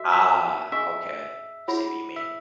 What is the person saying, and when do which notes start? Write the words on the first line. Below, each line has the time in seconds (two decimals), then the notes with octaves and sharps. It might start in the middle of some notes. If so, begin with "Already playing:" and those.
Ah, okay, see what you mean.
Already playing: F#4 A4 D#5 E5
0.12 E5
0.72 C#4 G#4 D#5 E5 G#5 C#6
1.68 E4 G#4 C#5 F#5 B5
2.16 E5